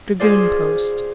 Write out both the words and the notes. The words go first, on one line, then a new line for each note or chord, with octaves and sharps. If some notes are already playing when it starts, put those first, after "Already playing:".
Dragoon post.
F4 G#4 C5 D5